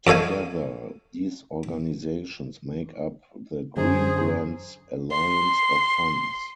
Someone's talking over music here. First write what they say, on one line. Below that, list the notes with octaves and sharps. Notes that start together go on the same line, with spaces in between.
Together, these organizations make up the Greengrants Alliance of Funds.
F2 A4 C#5 F5 G#5
F#2 D3 G#4 C5
C6